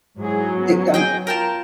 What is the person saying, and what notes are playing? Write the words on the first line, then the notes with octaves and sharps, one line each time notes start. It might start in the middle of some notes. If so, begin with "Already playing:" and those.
it, um
G#2 F#3 E4 G#4
B3 C#4
G#4 D#5 G5
F4 A#4 G5 A5